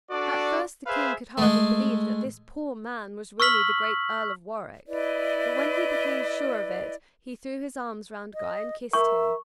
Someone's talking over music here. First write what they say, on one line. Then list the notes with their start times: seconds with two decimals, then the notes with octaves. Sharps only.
At first the King could hardly believe that this poor man was really the great Earl of Warwick, but when he became sure of it he threw his arms round Guy and kissed him.
0.11 D4 F#4 A4 D5
0.87 G#4 B4 C5 E5 F5
1.38 G#3 A3
3.40 C#6 E6 F6 B6 F#7
4.87 E4 B4 D5 D#5
8.34 D#5
8.93 A#4 E5 C#6